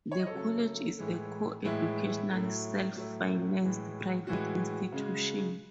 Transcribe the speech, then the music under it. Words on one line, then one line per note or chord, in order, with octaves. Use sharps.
The college is a co-educational self-financed private institution.
C#5
D#5
A4 C#5
C#3 F#3 A3
A2 E3 G#3
A2 E3 G#3 E4
A2 F#3 A3
A2 F#3 A3
A2 E3 G#3
A2 E3 G#3 F#4
C#3 G#3